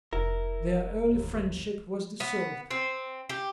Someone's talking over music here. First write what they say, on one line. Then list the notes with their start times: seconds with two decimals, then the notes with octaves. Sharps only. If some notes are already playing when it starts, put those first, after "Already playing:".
Their early friendship was dissolved.
0.13 F1 E4 A#4
1.05 A1 D#2
2.20 B3
2.71 C4
3.29 G4